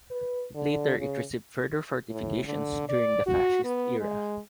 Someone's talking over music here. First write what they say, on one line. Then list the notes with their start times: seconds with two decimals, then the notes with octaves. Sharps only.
Later it received further fortifications during the Fascist Era.
0.10 B4
0.55 D3
0.99 C#3
2.10 A2
2.46 D3
2.89 D5
3.27 F#4
3.64 B3
4.00 G#3